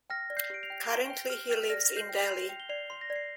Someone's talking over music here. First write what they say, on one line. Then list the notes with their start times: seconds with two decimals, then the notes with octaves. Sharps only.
Currently he lives in Delhi.
0.10 G5 F6 A#6
0.30 D5
0.37 G6 C7
0.50 G4 D7
0.63 C7 F7
0.70 G5
0.90 C6 D7 G7
1.10 G5
1.30 G4 F6
1.50 G5 F6
1.69 D5 F6 A#6
1.89 G4
1.96 G6 C7
2.09 G5
2.23 C7 F7
2.30 C6
2.49 G5 F7
2.60 G7
2.69 D5 C7 F7
2.90 C6
3.01 A#6
3.10 D5
3.16 C7